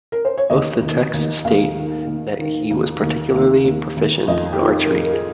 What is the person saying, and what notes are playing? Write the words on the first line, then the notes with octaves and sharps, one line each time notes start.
Both the texts state that he was particularly proficient in archery.
A#4
C5
C#5
D#2 D#5
D#2
D#2
D#2 F5
D#3
D#2
D#3
D#2
D#2
D#2
D#2
D#2
F2 D#5
G4
D#3 F4
A#4
F2 G#4
A#4
G#4